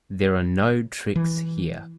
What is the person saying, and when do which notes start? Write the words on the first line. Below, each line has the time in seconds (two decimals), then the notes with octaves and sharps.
There are no tricks here.
1.16 E3